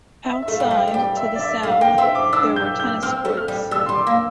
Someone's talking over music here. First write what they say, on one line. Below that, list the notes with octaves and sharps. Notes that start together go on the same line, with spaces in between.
Outside, to the south, there were tennis courts.
E5
E5
A3
F5
G3 E5
F3
G5
A3
G3 G5
E5
D5
E5
A3 F5
A#3 G5
C4 E5
D6
D4 E6
G6
G6
C4 F6
A3
F6
G3
G3 E6
G3 C6
D6
A#3